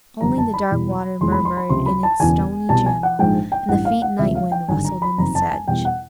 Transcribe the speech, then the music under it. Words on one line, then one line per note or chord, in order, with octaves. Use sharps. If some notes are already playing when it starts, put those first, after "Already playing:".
Only the dark water murmured in its stony channel, and the faint night-wind rustled in the sedge.
F#1 F2 D3 G3 A#5
A5
B5
E2 B2 G3
F1 E2 C3 F3 G#3 C6
B5
C6
B5
C#2 C3 F3 C6
B5
A5
E1 E2 C#3 G#5
C2 B2 G3 A5
G#5
F#5
A#1 G#2 F3 G#3 G5
G5
A1 G2 E3 G3 F#5
F5
F#5
D2 C3 F3 G#3 E5
F5
G5
G#1 G2 D3 G#5
A#5
B5
F#1 F2 C3 D#3 A#5
A5
G#5
E2 B2 G3 G5
F#5